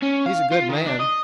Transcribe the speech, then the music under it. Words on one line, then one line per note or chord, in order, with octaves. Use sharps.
He's a good man.
C#4
F5
F4
D#3
D4
D#5